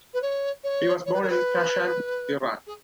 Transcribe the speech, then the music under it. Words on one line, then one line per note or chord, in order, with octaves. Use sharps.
He was born in Kashan, Iran.
B4
C#5
C#5
C#5
B4
A#4
B4
G#4